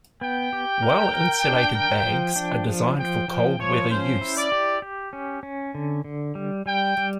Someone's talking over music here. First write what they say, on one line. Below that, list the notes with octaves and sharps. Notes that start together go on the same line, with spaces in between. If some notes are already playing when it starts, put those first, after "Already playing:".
Well-insulated bags are designed for cold weather use.
B3 G5
G4
A#4
A#4
D4
A#4
F3
D4
F3
F3 G5
F3 G5
F3 C#5
C#4 C5
E4
D5
G4
G4
C#4
C#4
D3
D3
G3
G3 G5
G3